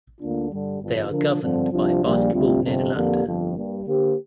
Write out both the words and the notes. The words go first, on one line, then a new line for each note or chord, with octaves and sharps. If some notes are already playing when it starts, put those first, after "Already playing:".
They are governed by Basketball Nederland.
D2 D3 A#3 D4 F4
G2 D3 G3
G1 G2 F3
D3 F3 D4 A#4
G2 D3 F3 C4
C2 C3 F3 D4 F4
A#1 A#2 G3 A#3 D4
D2 C3 G3 C4 F4
G1 F2 C3
F2 D3 A#3 G4
G1 F2 F3
G2 G3 A#3
D3 A#3 G4 C5